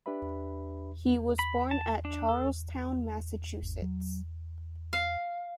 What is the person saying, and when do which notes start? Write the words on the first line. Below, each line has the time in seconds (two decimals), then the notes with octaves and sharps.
He was born at Charlestown, Massachusetts.
0.06 D4 G4 B4 E5 B5
1.39 B5
1.71 A5
2.05 D4
2.29 A4
3.62 G#1
3.82 F#3
4.93 F5